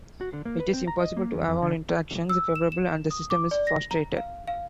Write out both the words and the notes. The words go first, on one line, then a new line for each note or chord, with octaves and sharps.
It is impossible to have all interactions favourable, and the system is frustrated.
F#4
D3
A#3
B4
C4
A#5
D#5
A#3
E2
F2
D3
E6
E7
E7
D#6
D6
D5
A#6
A#5
F5
F5